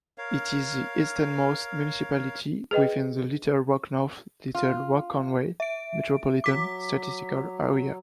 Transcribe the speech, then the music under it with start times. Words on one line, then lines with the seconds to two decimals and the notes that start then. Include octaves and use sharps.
It is the easternmost municipality within the Little Rock-North Little Rock-Conway Metropolitan Statistical Area.
0.18 A#4 C#5 F5
2.71 G#4 B4 D#5 G5
4.55 F4
5.60 E5 D7
6.44 F#3 D6 B6